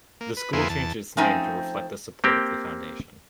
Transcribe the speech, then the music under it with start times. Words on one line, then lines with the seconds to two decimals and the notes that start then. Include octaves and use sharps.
The school changed its name to reflect the support of the Foundation.
0.21 A#3
0.37 B4
0.53 F2 A#3 B3 E4 G#4 C6
0.70 E2 A5
1.17 F3 A3 C4 C#4 D#4
2.24 A#3 C4 G4